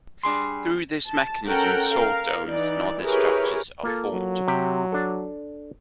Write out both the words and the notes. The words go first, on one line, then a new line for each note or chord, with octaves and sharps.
Through this mechanism, salt domes and other structures are formed.
G3 D4 G#4 C6
A5
C#4 A4 A#4 F#5 G5 A#5
A#4 F5
E3 D#4 D5
E4 G4 G#4 A#4 B4 C#5
A#3 F4 A4
F#3
C3 G4
D4 A4